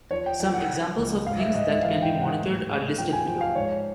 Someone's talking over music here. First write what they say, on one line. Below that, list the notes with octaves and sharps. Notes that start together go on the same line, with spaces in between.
Some examples of things that can be monitored are listed below.
F3 C#5
G5
F3 G5
F#5
F3
C#2
G#2 F5
E5
G#2 D#5
E5
E3 F5
G5
G#2
F#5
A2
G#3
F3 G5
G#5
F3 G5
F5
G#2 C#5